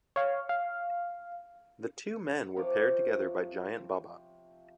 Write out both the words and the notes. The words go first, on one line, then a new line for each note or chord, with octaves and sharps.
The two men were paired together by Giant Baba.
C#5 F5
F5
C3 F3 C#5 D6